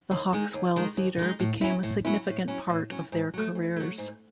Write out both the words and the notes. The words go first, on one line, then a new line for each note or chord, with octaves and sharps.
The Hawkswell Theatre became a significant part of their careers.
D#2
D#3 G#3 D#4
D#2
D#3 G#3 D#4
D#2
D#3 G#3 D#4
A2
F#3 C#4 E4
A2
F#3 C#4 E4
A2
F#3 C#4 E4
A2
F#3 C#4 E4
G#2
F#3 A3
G#2
F#3 A3
G#2